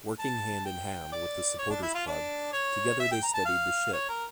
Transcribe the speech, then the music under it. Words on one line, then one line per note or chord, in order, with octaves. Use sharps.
Working hand in hand with the Supporters' Club, together they steadied the ship.
A5
G5
D5
C#5
D4
E4
F4
D4
C#5
E5
G5
A#5
A5
F5
C#5
A#4